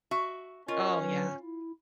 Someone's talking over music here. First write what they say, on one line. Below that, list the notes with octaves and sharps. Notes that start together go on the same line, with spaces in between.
Oh, yeah.
F#4 E5
C#4 F4 A#4 D#5 C#6
F#3 B4
E4